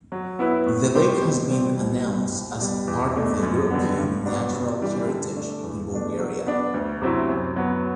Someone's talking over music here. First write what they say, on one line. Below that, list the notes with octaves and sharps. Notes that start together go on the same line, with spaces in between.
The Lake has been announced as part of the European Natural Heritage in Bulgaria.
F#3
B3 E4 B4
A2
G3 C4 G4 C5
B2
G3 C4 G4 C5
C2
B2 G3
C2
B2 G3
E2
B2 A3 D4
F#2
D3 G3 B3
G2
F#3 B3 D4
C3
E3 G3 D4 G4
D3
A3 D4
E2
B2 A3 D4
F#3
B3 D4
D2
C3 F#3 C4 E4
F#2
F#3 B3